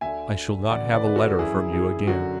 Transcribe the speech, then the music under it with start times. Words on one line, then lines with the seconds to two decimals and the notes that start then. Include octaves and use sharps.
"I shall not have a letter from you again."
0.01 D2 D3 E5 G#5
0.70 D2 C#3 E3 D5 F#5
0.93 B4 D5
1.07 B4
1.16 F#4 A4
1.39 F#2 E3 E4 G#4
1.73 E4 G#4
2.07 F#2 D3 F#4